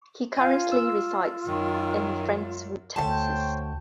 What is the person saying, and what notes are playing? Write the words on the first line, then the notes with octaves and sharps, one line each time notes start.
He currently resides in Friendswood, Texas.
F4 F5 G#5
E6
F#2 D#3
D2 C5 C#5 G5 A5